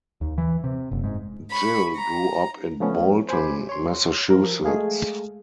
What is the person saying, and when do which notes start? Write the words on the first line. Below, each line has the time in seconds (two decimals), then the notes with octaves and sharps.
Gill grew up in Bolton, Massachusetts.
0.21 D#2
0.38 E3
0.64 C3
0.92 F#1
1.04 G#2
1.51 B5 C#6
1.95 A#5
2.80 F3 A3 B3 C#4
3.29 C5 G#5 B5 D6
3.69 C#5 C6
4.30 F3 A#4
4.64 G#3 A3 G#4 F5